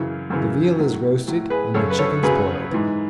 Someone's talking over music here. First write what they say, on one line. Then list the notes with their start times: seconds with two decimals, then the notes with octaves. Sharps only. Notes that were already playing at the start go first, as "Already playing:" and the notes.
The veal is roasted, and the chickens boiled.'
Already playing: F#2 C#3 E3
0.30 F#2 C#3 E3
0.78 A2 F#3
1.27 A2 F#3
1.50 G#4 B4
1.74 F#2 C#3 F#3 A4 C#5
1.90 B4
1.99 A4 C#5
2.23 F#2 C#3 F#3 G#4 B4
2.71 G#2 E3